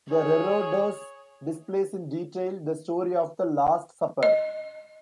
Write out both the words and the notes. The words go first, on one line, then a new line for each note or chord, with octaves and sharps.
The reredos displays in detail the story of the Last Supper.
G#4 C#5
D#5